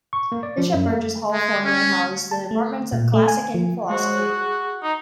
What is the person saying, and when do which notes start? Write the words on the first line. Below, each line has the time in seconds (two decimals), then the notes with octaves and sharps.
Bishop Burgess Hall formerly housed the departments of Classics and Philosophy.
0.13 C#6
0.32 A#3
0.43 D5
0.58 F3
0.74 F#2
0.90 A#3
1.32 G#3
1.64 C#4
2.31 A5
2.51 A3
2.92 A#2
3.14 A3
3.28 G#5
3.54 F3
3.89 G#3 F#4 C5 C#5
4.16 G#4 F#6
4.83 D#4